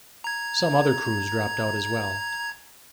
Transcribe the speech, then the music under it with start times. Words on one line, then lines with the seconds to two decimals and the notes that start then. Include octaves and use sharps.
Some other crews dropped out as well.
0.24 A#5 G#6